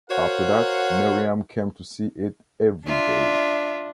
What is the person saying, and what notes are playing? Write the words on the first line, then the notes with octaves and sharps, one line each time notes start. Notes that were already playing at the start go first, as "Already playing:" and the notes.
After that, Miriam came to see it every day.
F#4 A#4 C5 C#5 F5 F#5
D4 F4 E5